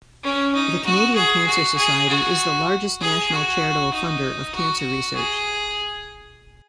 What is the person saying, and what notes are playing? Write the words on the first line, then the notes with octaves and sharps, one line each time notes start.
The Canadian Cancer Society is the largest national charitable funder of cancer research.
C#4
D#4
F#4
G#4
F#4
G#4
F#4
G#4
F#4
D#4
F#4
G#4